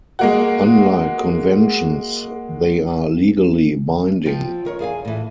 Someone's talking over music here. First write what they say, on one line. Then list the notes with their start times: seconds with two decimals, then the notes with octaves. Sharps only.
Unlike conventions, they are legally binding.
0.19 G#3 A#3 F#4
4.26 F3 C4 G5
4.65 D#3 A#4 C#5
4.79 E2 G#4 F5 G#5
5.05 A2 E3